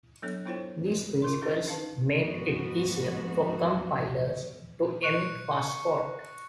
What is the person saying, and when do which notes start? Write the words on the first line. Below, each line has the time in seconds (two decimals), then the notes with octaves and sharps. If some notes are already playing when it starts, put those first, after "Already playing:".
These principles made it easier for compilers to emit fast code.
0.22 F#3 B3 D4 A4 C#5
0.45 B3 E4 F4 C5 C#5 G5
1.22 F4 A#4 C6
1.42 C#4 D4 E4 F4 G#4 A#4
1.67 D#3 D#4 B4 F5 A5
2.15 F2 G#2 B3 F#4
5.03 C#6 F#6 C#7